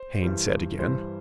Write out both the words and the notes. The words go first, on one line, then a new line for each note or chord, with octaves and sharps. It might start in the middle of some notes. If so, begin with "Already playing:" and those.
Haines said again.
Already playing: C5
G2 E3 G3
G2 E3 G3 C5